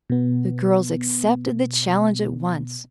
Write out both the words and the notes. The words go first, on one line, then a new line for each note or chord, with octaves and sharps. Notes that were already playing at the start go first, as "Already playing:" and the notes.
The girls accepted the challenge at once.
B2 B3